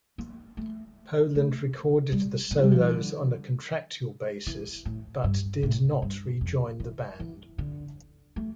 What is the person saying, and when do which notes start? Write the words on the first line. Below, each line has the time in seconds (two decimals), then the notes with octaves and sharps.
Poland recorded the solos on a contractual basis, but did not re-join the band.
0.18 A#3
0.57 A3
1.35 A3
2.12 G3
2.51 A#2
2.61 G3
2.71 F3
2.81 E3
2.90 D3
4.46 E3
4.85 A2
5.24 G2
5.63 A2
6.02 G2
6.41 F2
6.80 E3
7.19 E3
7.58 D3
8.36 A3